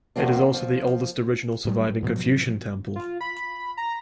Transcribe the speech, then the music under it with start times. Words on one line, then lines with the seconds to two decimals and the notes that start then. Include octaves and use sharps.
It is also the oldest original surviving Confucian temple.
0.16 E2 A2 C3 A#3 C4 D4
0.54 F3
1.65 A2 F#3 G3
2.03 G#2 B2 F3 F#3
2.96 F4
3.21 B5
3.77 A#5